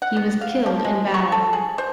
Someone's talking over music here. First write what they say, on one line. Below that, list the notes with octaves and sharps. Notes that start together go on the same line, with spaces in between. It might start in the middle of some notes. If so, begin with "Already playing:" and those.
He was killed in battle.
F#5
B3
F5
F3
G#3
C#6
A4
G#4
C5